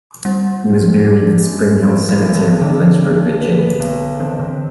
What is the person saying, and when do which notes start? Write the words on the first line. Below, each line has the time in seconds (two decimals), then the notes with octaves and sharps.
He was buried at Spring Hill Cemetery in Lynchburg, Virginia.
0.25 G3 C4
0.65 F#2
1.04 D4
1.43 F#2
1.83 F#3 C4
2.09 F#3
2.23 B1
2.35 E3
2.61 D3 D4
3.01 B1
3.41 B3
3.80 B1
4.19 E3 C4
4.39 D3